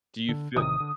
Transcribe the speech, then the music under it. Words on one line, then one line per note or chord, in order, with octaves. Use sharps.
Do you fee
D3
A1 C3 D#3 D#6
D3